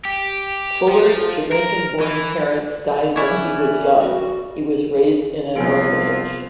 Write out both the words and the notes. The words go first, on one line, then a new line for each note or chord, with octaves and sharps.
Fuller's Jamaican-born parents died when he was young; he was raised in an orphanage.
G4
F3
A#4
E3
E3 C#4 E4 C#5 D5 F#6
G3 F#4
C2 F3 B3 G#5 D7